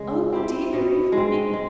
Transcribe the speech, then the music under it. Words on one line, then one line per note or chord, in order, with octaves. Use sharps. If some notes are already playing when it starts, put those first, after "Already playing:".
Oh dear, even me.
Already playing: C#3 G#3
C4 E4 G4
B2
G#3
C4
G#3